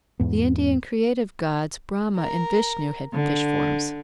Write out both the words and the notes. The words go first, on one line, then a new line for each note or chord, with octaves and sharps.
The Indian creative gods Brahma and Vishnu had fish forms.
E2 G#2 B3
A#4
D3